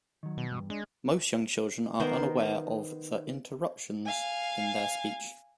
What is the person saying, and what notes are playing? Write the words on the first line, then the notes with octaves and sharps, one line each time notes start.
Most young children are unaware of the interruptions in their speech.
D#3 F#3
B2
E2 G2
G#3 D4
D#3 B3 A#4 C5
F5 G#5